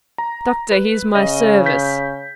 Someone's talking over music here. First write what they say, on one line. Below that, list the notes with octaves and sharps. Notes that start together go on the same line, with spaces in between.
Doctor, here's my service.
A#5
B4
C#3 D#5
G6 B6